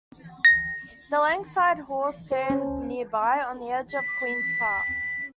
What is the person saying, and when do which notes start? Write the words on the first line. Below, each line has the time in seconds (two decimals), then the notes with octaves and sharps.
The Langside Halls stand nearby, on the edge of Queen's Park.
0.45 A#6
2.32 C5
2.50 C#4
3.91 B6